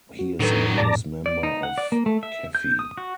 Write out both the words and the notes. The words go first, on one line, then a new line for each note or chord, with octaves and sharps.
He is the newest member of Kaffe.
F#4
A2 D#3 F#3 D4 A4 B4
F2 A#2 D5 A5 A#5
D5
D#4
F#5
D5
A#3
A3
E5
G6
D#6
F#4